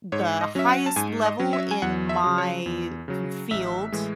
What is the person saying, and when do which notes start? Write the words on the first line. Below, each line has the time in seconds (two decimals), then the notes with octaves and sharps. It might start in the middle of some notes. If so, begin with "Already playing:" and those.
the highest level in my f field,
0.12 G#2 C#5
0.41 D#5
0.55 F#3 C#4 E5
0.69 F#5
0.86 A5
0.96 G#2 G#5
1.25 D#5
1.39 F#3 C#4
1.53 E5
1.71 G#5
1.82 E2 F#5
2.09 E5
2.24 C#3 F#3
2.38 C#5
2.66 E2
3.08 C#3 F#3
3.51 A1 E5
3.92 A2 E3 G#3